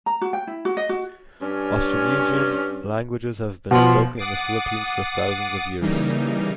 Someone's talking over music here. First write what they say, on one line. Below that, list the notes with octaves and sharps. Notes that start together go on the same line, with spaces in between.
Austronesian languages have been spoken in the Philippines for thousands of years.
A#5
F#4
G5
E4
F#4
D#5
F#4
G2 C#4
B2 F3
F#5 D6 D#6 A6 C7 D7
C#3 E3 G3 A#3 D#4